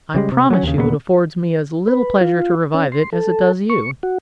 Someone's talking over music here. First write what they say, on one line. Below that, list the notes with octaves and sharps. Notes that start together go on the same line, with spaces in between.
I promise you it affords me as little pleasure to revive it as it does you.
C#3 G3 G#3
C3
F#3 A3 C#4
D#2 C#3
D#2 A#2 G3 B3
B4
F4
C#4
C6
A4
C#6
F#4